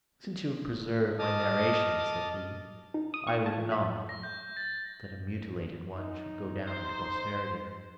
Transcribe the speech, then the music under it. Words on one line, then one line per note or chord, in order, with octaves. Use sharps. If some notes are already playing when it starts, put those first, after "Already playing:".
"Since you have preserved my narration," said he, "I would not that a mutilated one should go down to posterity."
D#5 A5 D6 D#6 F6
D#4
D#6
C#6
A5
F3
E5
F#2
A#6
G6
A6
D#4
C5